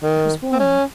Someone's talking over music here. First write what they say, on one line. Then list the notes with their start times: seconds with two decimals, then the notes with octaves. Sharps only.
It was warm.
0.03 D#3
0.53 C4
0.60 C#4